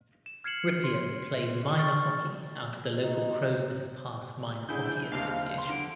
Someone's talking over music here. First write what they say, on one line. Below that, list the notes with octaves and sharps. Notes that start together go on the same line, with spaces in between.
Rypien played minor hockey out of the local Crowsnest Pass Minor Hockey Association.
E7
F6 G#6 C7 C#7 E7 F#7
C6
C#6 F6 A6
D#4
D3 E4 G#4 G6
D4 E4
D#2 C3 G4 F5
C6
D3 D7